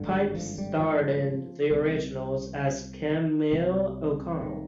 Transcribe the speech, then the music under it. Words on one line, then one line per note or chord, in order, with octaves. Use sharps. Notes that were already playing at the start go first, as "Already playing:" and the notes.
Pipes starred in "The Originals" as Camille O'Connell.
Already playing: G#1 G2 D3
G3
F3
G3
F3
C2 C3
C2 C3
D#3